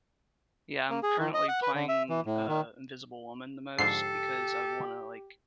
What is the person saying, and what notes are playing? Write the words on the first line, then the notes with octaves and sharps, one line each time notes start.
Yeah, I'm currently playing, uh, Invisible Woman the most, because I wanna, like,
A#3
G#4
D#3
D#5
F#5
B4
D3
E5
E3
A2
D#3
G#2 D3 F3 G4 A4 C7